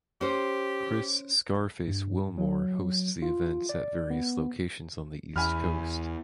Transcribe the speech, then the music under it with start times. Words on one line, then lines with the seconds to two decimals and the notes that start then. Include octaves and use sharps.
Chris "Scarface" Wilmore hosts the events at various locations on the east coast.
0.21 C#4 G4 C5
1.87 G2
2.38 F#3
3.22 F4
3.69 D5
4.10 B3
5.36 E2 G#5 B5 F6